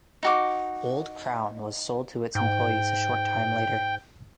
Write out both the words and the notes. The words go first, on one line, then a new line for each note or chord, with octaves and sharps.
Old Crown was sold to its employees a short time later.
D#4 F#4 D6
G#2 G5